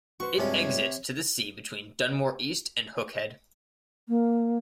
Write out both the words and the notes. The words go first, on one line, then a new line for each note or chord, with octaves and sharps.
It exits to the sea between Dunmore East and Hook Head.
F#4 B4 C5 C#6
G2 C3 F3 G#3 C#4 C#5
A#3